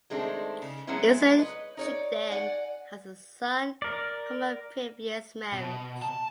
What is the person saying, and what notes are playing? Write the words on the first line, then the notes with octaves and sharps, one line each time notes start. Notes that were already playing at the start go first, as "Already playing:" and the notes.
Ilse Schouteden has a son from her previous marriage.
D#3 G#3 A3 C4 D4
C#3
F#3 G#3 B3 C#4 D4 E4
B4 C#5 D#5
D#4 C#5 D5
D5 F#5 G#5
A#4 D5
B2
A5